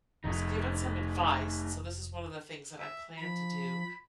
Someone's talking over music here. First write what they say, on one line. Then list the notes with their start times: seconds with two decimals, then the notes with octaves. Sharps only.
was given some advice, and so this is one of the things that I plan to do,
0.24 F1 A3 D#4
2.79 E5
3.17 F3 B5